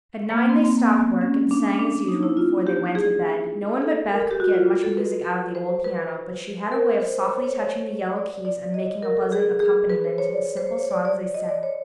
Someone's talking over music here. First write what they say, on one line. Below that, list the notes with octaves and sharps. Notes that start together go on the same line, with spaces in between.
At nine they stopped work, and sang, as usual, before they went to bed. No one but Beth could get much music out of the old piano, but she had a way of softly touching the yellow keys and making a pleasant accompaniment to the simple songs they sang.
A#3
B3
C4
C4
A#3
B3
C#4
D4
D4
D#4
E4
F4
G4
G#4
A4
A#4
A4
G4
F#4
F4
A4
B4
C5
B4
A#4
C5
C#5
C5
C#5
D5
D5
D#5
A#4
A4
G#4
G#4
B4
C5
C#5
D5
C#5
C5
C#5
C#5
D5
D5
D#5
D5
C#5